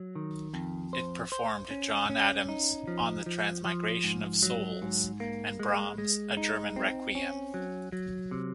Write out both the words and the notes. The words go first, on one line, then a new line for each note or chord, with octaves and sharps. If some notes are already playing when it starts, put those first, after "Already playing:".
It performed John Adams' On the Transmigration of Souls and Brahms' A German Requiem.
Already playing: F#3
D#3
F2
C5
C5
C#4
C#4
D#4
F3
F3
F3
G#2
F#3
G#2
A#3
G#3
G#3
D#4
C4
C#4
F#3
F#3
C3